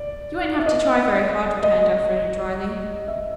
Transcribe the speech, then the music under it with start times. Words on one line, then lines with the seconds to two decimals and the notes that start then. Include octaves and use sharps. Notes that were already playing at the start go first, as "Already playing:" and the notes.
"You won't have to try very hard," returned Elfreda dryly.
Already playing: D5
0.59 E5
0.66 D#5
1.63 D#5
3.08 E5